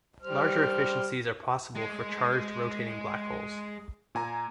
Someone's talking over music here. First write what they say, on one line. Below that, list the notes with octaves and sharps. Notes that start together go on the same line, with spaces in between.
Larger efficiencies are possible for charged rotating black holes.
G3 C5 F6
G#3
A#2 G#5 A#5